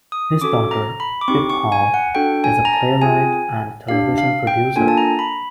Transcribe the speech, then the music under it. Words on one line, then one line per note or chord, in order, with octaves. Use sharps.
His daughter, Pip Hall, is a playwright and television producer.
D#6
C#4 F#4 A4 D6
A#5
B5
D6
C4 D#4 G4 C#6
C#6
G#5
F#5
D4 F#4 A4 G5
G#5
A#5
A5
C4 F4 G#4 G#5
D4 G4 F5
F5
G5
A#3 D4 F4 A4 G#5
A5
A#5
B5